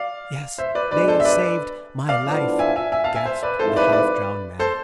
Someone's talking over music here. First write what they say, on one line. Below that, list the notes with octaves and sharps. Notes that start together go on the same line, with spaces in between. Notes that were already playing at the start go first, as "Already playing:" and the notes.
"Yes--they saved--my life!" gasped the half-drowned man.
Already playing: D5 F5
C5 E5
B4 D5
B2 G#3 D4 B4 D5
A4 C5
E5
B4 D5
D5 F5
A2 F3 B3 D4 F4
E5 G#5
E5 G#5
E5 G#5
F5 A5
E5 G#5
C5 E5
B4 D5
G#1 G#2 F3 A3 E4 A4 C5
B4 D5
B4 D5
A4 C5